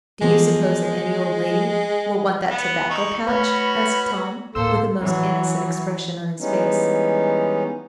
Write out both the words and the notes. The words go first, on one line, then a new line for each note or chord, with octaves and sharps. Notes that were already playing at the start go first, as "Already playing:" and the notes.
"Do you suppose that any old lady will want that tobacco pouch?" asked Tom, with a most innocent expression on his face.
E3 F3 G#3 A#3 B3 G#4
B3
D#4 E4 C#6
A3 C#4 F#4 B4
D2 A2 A#3 A4 C5 E6
E3 F#3
E3 G3 G#3 B3 C#4 D#4